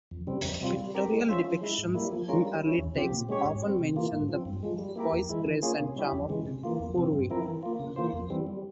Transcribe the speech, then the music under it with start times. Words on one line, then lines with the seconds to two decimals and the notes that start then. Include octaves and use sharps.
Pictorial depictions in early texts, often mention the poise, grace and charm of Poorvi.
0.11 F2
0.27 C#3 G3 C4
0.44 F2
0.61 C3 G3 C4 F4
0.78 G3
0.95 C4 G4 A#4
1.12 G#3
1.28 C#4 F4 C5 E5
1.44 F3
1.61 G#3 E4
1.78 G#2
1.94 G3 A#3 E4
2.12 F3
2.28 G#3 C#4 F4 A#4
2.45 G3
2.61 C#4 E4
2.78 E2
2.95 C#3 F3 C4 G4
3.11 A#2
3.29 G#3 C#4 G4 C#5
3.45 G#2
3.62 G3 C4
3.79 C3
3.96 E3 A#3 F4
4.12 G#2
4.29 F3 C4
4.45 G2
4.63 F3 G#3
4.79 G3
4.96 A#3 E4 G4 A#4
5.12 F2
5.29 E3 G#3 E4
5.46 E3
5.62 A#3 C#4 F4 G#4
5.80 C3
5.96 G3 C#4 E4 G4
6.12 F2
6.29 C#3 E3 G#3
6.46 C3
6.64 E3 A#3 F4
6.80 F2
6.96 C3 F3 C4
7.13 G2
7.30 F3 C4 E4 A#4
7.46 E3
7.63 A#3 F4
7.80 C#3
7.96 E3 A#3 F4 C5
8.13 F2
8.30 E3 G3 C4
8.47 G3